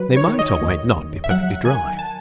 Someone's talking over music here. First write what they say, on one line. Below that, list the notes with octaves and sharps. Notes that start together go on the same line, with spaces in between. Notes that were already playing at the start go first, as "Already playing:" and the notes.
They might or might not be perfectly dry.
Already playing: F#3 B4
C#5
D#3
D#5
D#2
D#2
E5
F#3 F#5
D#3 G#5
A5